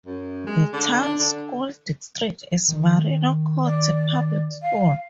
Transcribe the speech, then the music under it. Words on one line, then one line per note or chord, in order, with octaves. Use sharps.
The town's school district is Marion County Public Schools.
F#2
G#3
D3
D4
D3
D#3
D5
F5